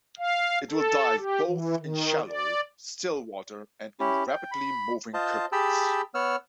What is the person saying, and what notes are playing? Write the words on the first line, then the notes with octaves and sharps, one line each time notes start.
It will dive both in shallow, still water and in rapidly moving currents.
F5
A4
G4
E3
D#3
D5
C#4 E4 G4
G5
B5
F4 C5 D#5 A5
G4 G#4 G5 A5 B5 E6
B3 C#5 F#5 E6 F6